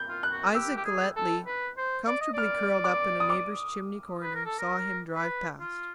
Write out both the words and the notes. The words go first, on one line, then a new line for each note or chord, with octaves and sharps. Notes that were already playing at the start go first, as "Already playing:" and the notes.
Isaac Galletly, comfortably curled up in a neighbour's chimney corner, saw him drive past.
Already playing: G6
F4
F#6
F#4
G4 E6
G4
G#4
A4
B4
C5
D5
D#5
D5 F6
D6
D#6
D6
B4
A#4
A4
A#4
B4
F4